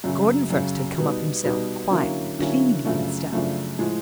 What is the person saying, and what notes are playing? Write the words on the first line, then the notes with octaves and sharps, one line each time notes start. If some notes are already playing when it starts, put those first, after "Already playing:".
Gordon first had come up himself, quietly, pleading with Stella.
F#2 C#3 F#3
F#2 C#3 F#3
B2 G3 B3 D#4
B2 G3 B3 D#4
D3 F#3 A#3 C#4 E4
D3 F#3 A#3 C#4 E4
F#2 C#3 F3 A3 D4
F#2 C#3 F3 A3 D4
A2 F3 G#3